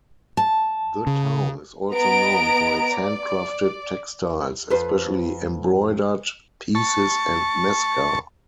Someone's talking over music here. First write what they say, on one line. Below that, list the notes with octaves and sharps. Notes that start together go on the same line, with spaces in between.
The town is also known for its handcrafted textiles, especially embroidered pieces and mezcal.
A5
C#3
B3 D#5 A#5 D7
D5
F2 B4 C5
A5 C#6